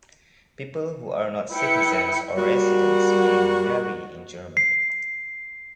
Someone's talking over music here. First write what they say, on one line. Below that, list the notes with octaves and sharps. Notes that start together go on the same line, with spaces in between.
People who are not citizens or residents may marry in Germany.
E4 B4 G5 C#7
G3 A#3 F#4
C7